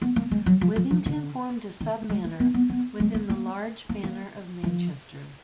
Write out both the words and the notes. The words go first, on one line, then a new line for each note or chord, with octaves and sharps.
Withington formed a sub-manor within the large Manor of Manchester.
B3
A#3
G#3
F#3
F3
F3
F3
D3
D#3
G#3
A#3
B3
B3
B3
G#3
A#3
A#3
A#3
A#3
F3